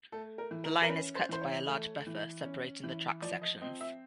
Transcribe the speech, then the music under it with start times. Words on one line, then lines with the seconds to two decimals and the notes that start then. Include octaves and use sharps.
The line is cut by a large buffer separating the track sections.
0.12 A3 A4
0.38 A#4
0.51 E3
0.64 A#4
0.82 A#4
0.89 C#4 B4
1.15 C5
1.29 E3 C5
1.42 C#5
1.67 A3
2.07 E3
2.45 C#4
2.84 E3
3.22 F3 D5
3.42 D#5
3.61 C4 D#5
3.81 E5